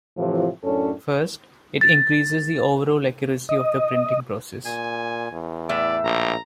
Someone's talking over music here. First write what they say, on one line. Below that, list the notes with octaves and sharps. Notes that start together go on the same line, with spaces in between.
First, it increases the overall accuracy of the printing process.
A2 C3 E3 F3
F#2 A2 C#4 D4 A4
A6
D#5
A#2 G#5
E2
A2 A3 D5 E5
A#1 A#5